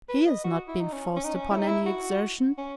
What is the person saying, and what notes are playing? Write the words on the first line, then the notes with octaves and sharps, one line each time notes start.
He has not been forced upon any exertion.
B4
D#5
F#4
E4
D#4
C#4
C#4
D#4
C#4
E4
D#4
E4
F#4
C#4